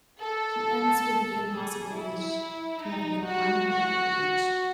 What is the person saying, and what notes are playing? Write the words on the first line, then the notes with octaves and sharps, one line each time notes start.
He ends with the impossible wish to have been born in a better age.
A4
G#4
E4
D#4
F#4
F#4